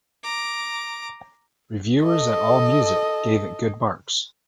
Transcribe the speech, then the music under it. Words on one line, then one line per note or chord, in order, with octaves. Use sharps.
Reviewers at Allmusic gave it good marks.
A#5 D6
A4 D#5